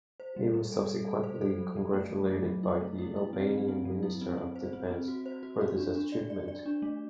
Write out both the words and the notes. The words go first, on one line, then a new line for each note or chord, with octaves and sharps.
He was subsequently congratulated by the Albanian Minister of Defence for this achievement.
C5
G3
G3
A4
A4
A4
C5
A4
F#3
F#3
A3
F#3
A3
F#3
E4
A3
E4
E4
C4
F#3
C4
F#3
E4
C4
C4
C5
C4
C4
F#4
C5
F#4
F#4
D4
D4
D5
D5
D5
D4
A3